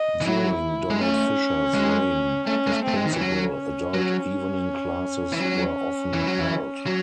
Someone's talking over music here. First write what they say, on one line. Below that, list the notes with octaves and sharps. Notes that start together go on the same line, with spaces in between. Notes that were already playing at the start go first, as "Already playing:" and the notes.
During Donald Fisher's reign as principal, Adult Evening classes were often held.
Already playing: D#5
E3
F#3 E4
G#3
A3 C#4
G#3
A3 C#4
G#3
A3
A3 C4
G#3
D#3
E3
F#3 C#4
F#3
E3
F#3 C#4
E3
F#3
E3
F#3